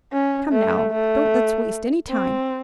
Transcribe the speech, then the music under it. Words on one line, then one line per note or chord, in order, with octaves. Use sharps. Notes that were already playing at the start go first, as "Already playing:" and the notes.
Come now, don't let's waste any time.
C#4
A3
A3
C4